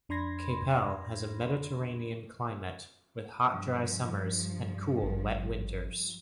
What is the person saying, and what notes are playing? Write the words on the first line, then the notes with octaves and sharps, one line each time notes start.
Capel has a Mediterranean climate, with hot dry summers and cool wet winters.
F2 D4 B5 C6 G#6 A#6
G2 F3
G#1